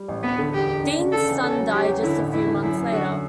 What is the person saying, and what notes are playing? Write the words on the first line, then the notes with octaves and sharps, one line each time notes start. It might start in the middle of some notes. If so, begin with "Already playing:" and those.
Deans' son died just a few months later.
Already playing: G3
A1
D2 B3
D3
E1 G4
E1
D4
C#3
C#3 A4
E2
C#4 A4
F#3
C#4 G4
E2
D3 E4
A1
A1 E4
D3
F#2 E4
F#2
D3 F#4